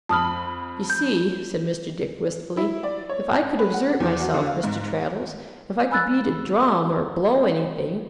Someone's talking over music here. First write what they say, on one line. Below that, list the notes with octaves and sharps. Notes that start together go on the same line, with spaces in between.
'You see,' said Mr. Dick, wistfully, 'if I could exert myself, Mr. Traddles--if I could beat a drum--or blow anything!'
F2 A5 B5 D#6 F6
G6
E4
D5
C#5
B4
F#5
E2
F#4
D3
F5
G#2
G#5 B5 E6 F#6 A6